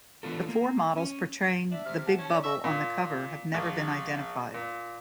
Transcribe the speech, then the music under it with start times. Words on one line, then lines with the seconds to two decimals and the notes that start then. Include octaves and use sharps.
The four models portraying the Big Bubble on the cover have never been identified.
0.23 E3 B3 D4 F4 A4
0.49 A#3
0.97 C#4
1.71 D4 E5
1.85 C3 F6
2.06 F#5 A5
2.18 C#4 C#5
2.31 D5
2.43 D#5 E5 C#6
2.64 A#2
3.54 A#1
4.54 A#2